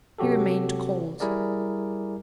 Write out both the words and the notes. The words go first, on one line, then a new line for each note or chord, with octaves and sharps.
He remained cold.
C3 F#3 F#4 G4 A4
G3 E4 G#4 A#4 D5